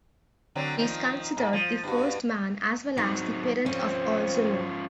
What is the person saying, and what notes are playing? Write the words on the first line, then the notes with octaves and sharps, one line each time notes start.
He is considered the first man as well as the parent of all Zulu.
D3 F#3 C4
D#3 F3
G#2
F3
G2 F#4
F#3 C4 D#4
F3 C4 C#4